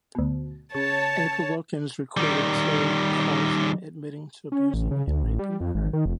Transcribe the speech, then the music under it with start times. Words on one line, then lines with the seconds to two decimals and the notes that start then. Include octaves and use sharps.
April Wilkens recorded Terry Carlton admitting to abusing and raping her.
0.15 D2 B2
0.75 C#3 C#5 A5
2.17 D#3 G3
4.52 C#4
4.74 A1
4.91 C#3
5.07 D2
5.23 A1
5.39 G3
5.60 F2
5.75 G#1
5.93 D#3
6.06 F1